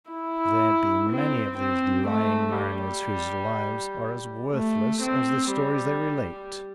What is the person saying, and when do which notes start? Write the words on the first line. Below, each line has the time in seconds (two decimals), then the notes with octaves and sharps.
There be many of these lying mariners whose lives are as worthless as the stories they relate.
0.10 E4
1.10 C4
1.58 C4
2.08 A3
2.56 G3
4.53 A3
5.02 C4
5.52 G3